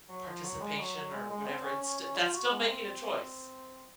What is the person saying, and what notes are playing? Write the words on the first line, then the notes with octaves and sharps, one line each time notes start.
"Non-participation," or whatever. It's st that's still making a choice.
F#3
F3
F#3
G#3
F#3
F#3
G#3
G#3
C4
C#4
C#4
C#4
F4
F#4
G#3
C4
C4
C4